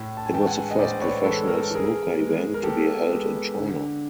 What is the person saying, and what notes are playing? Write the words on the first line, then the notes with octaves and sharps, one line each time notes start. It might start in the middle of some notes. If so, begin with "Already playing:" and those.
It was the first professional snooker event to be held in China.
Already playing: A2
A5
G#5
E3 G#3 G5 A5
F#5 G#5
D#5
A2 C5 D5
B4 C#5
E3 G#3 A4 B4
A#4
A4
E3 G#4 A#4
G#3 B3
A#4
E3 G4 A4
G#3 B3
D3